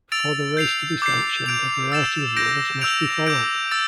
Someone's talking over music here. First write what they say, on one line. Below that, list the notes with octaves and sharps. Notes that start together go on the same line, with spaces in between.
For the race to be sanctioned, a variety of rules must be followed.
E6 A6 D7 F7
G6 C7 F7
D6 G6 C7
G6 D7 F7
E6 A6 E7
G6 A#6 D7
E6 G6 D7 F7
D6 G6 D7
E6 A6